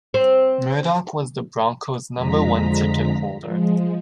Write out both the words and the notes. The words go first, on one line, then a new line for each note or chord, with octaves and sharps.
Murdoch was the Broncos' number one ticket holder.
C4
F2 D3 F3 G#3 A#5 B6
F3 G#3